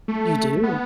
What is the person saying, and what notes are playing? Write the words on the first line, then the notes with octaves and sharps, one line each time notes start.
You do.
A3
B3